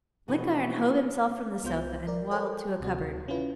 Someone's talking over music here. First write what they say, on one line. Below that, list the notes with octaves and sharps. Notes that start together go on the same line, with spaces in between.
Blenkiron hove himself from the sofa and waddled to a cupboard.
F1 B2 E3 F#4
C2 B3 F4 C5 G6
A#4 D5
A4 A#4 C5 C#5 G5
D2 C3 F#4
C#4 E4 F4 B4